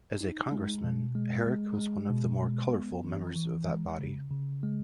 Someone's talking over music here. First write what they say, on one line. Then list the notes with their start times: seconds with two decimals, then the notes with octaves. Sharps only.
As a Congressman, Herrick was one of the more colorful members of that body.
0.21 D#4
0.52 G#3
0.84 B2
1.15 G#3
1.47 G#3
1.79 G#3
2.10 B2
2.42 G#3
2.73 B3
3.05 E3
3.36 E3
3.68 G#3
3.99 C#3
4.31 C#3
4.63 G#3